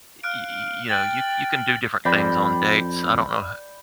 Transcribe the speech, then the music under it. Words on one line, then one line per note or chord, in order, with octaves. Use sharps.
y y y you know, you c you can do different things on dates, I don't know i
F5 F6 F#6 D7
G5 A6 F#7
F2 D5 G5 B5